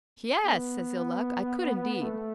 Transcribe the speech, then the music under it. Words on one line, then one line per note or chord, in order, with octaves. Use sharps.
"Yes," says Ill-Luck, "I could indeed."
B3
A3